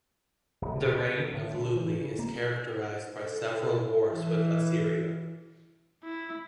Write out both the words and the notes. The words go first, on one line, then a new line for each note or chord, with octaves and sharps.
The reign of Luli is characterized by several wars with Assyria.
D1
B2
B2
D#3
A2
D3
E3
C#3
A#3
C5
A4
E3
E4